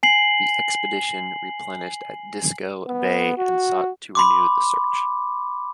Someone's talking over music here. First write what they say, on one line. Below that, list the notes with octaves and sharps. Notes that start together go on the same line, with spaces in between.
The expedition replenished at Disko Bay and sought to renew the search.
G#5 C7 F#7
B3
F#4
B5 C6 D6